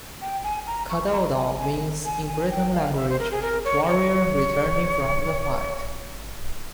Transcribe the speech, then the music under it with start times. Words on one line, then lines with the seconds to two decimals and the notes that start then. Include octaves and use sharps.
Cadoudal means in Breton language "warrior returning from the fight".
0.21 G5
0.43 G#5
0.67 A#5
0.90 C#6
1.12 A#5
1.35 G#5
1.58 G#5
2.05 G#5
2.27 G#5
2.50 G5
2.73 F5
2.96 E5
3.09 C5
3.19 A#4
3.31 G#4
3.43 A#4
3.65 C#5
3.88 C#5